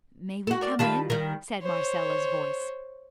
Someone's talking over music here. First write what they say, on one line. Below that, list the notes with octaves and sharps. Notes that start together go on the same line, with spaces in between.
"May we come in?" said Marcella's voice.
F#4 A4
A#4 D5
D#3 G3 F4 A5 B5
D#3 G3 A#4
C5 C#5